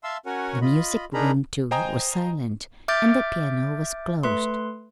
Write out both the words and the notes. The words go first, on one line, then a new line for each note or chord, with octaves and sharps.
The music room, too, was silent, and the piano was closed.
E5 F5 A5 C6 E6
C#4 F#4 A#4 C#5 F#5 G#5
F4 D#5 B5
D4 D#4 G#4 A#4 A#5 B5
C5 D#5 G5 G#5 A#5 D#6
E5 D6 F6 G6 A6 D7
A3 B4 C6